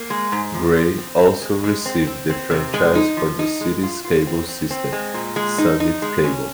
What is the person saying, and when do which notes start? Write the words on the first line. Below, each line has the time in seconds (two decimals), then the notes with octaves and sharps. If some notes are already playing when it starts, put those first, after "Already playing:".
Gray also received the franchise for the city's cable system, Summit Cable.
Already playing: A#3
0.10 G#3
0.32 G#2
0.54 F3
0.76 F3
0.98 C4
1.20 C4
1.42 G#3
1.64 G#3
1.86 C4
2.07 C4
2.29 C4
2.51 C3
2.74 G#3
2.95 D#4
3.17 F3
3.39 D#4
3.61 G#3
3.83 F4
4.04 F4
4.27 C4
4.49 C4
4.71 C4
4.92 G#3
5.14 A#2
5.36 G#3
5.58 D#4
5.80 D#4
6.02 G#3
6.24 C#4